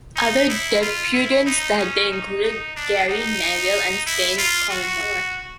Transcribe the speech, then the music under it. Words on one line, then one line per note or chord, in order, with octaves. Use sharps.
Other debutants that day included Gary Neville and Stan Collymore.
D#4
E4
F4
E4
D#4
C#4
D#4
D#4
D4
D#4
E4
F4
F#4